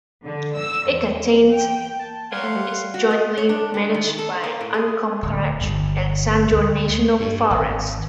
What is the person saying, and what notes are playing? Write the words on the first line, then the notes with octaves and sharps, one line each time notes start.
It contains and is jointly managed by the Uncompahgre and San Juan National Forests.
D3
E6
E2
G5
A5
F5 F#5 C6 G#6
A3
G3
F#4
D#5
C#5
D4
G3
D#3
A4
A#3
A2
G#4
D1
G1
D2
A3
G2
G#1